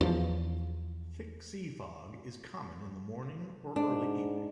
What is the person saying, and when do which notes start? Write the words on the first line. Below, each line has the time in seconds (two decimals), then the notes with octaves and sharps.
Thick sea fog is common in the morning or early evening.
0.01 E2 F3
3.76 G#2 D4